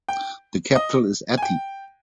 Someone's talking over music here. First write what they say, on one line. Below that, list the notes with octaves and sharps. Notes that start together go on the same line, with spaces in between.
The capital is Ati.
G5
D#5
G#5
G5